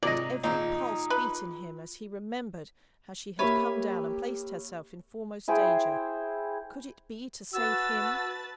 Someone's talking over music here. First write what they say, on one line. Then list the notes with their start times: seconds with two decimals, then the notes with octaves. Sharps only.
But every pulse beat in him as he remembered how she had come down and placed herself in foremost danger,--could it be to save him?
0.03 G#2 C3 F#3 F4 D5 D#5
0.43 G#1 A#2 D#4 C5
1.10 B4
3.39 A#3 G4 B4 C#5 E5
5.48 E4 G#4 C5 G5
7.53 F#4 B4 A5 E6 A6